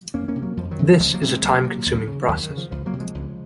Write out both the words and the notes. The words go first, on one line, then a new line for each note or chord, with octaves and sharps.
This is a time-consuming process.
F2 A#3 C#4
A#3 C#4
C3
F#3 A#3
F2 F3
D#3 F#3
C3
C#2 F3 G#3
F#3 A#3
C3
G#3 C4
C#2 F#3 A#3
C3
D#2
C#3
D#2 D#3 F#3
D#3
C#3
F3
C#2 F3
F#3 A#3
C3
F3 G#3
C#2